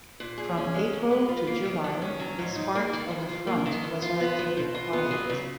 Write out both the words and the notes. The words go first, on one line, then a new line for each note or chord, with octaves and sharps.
From April to July this part of the front was relatively quiet.
A#2
G#4
C#4
G#3
F#3
B4
F4
A#3
D#3
D#3
C#4
F#3
G#2
D#4
A#3
D#3
F2
F4
A#3
D#3
F#2
F4
B3
F3
B2
F4
B3
F#3
C#3